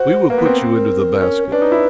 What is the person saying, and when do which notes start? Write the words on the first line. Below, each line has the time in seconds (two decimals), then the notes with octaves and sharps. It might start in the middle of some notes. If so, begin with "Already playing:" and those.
We will put you into the basket!
Already playing: F#4 C5
0.30 A#3 B4
0.38 B3
0.46 C4
0.76 A#4
1.22 C#4
1.51 D4 B4
1.62 D#4
1.72 E4